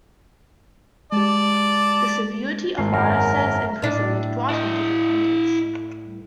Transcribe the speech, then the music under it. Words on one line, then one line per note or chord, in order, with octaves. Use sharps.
The severity of Manasseh's imprisonment brought him to repentance.
G#3 G4 D5 A5
G#1 C7
F#2 A#4
A2 D4
E4 D#5